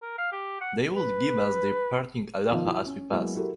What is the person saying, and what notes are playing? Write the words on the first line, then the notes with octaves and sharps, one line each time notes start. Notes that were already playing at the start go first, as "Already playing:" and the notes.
They would give us their parting aloha as we passed.
A#4
F5
G4
F#5
B4
B2 D#3 F3 F5
E4 F#4
C#4
F#3 G#3 A#3 B3 E4 F#4
E4 F#4 G4 A4 A#4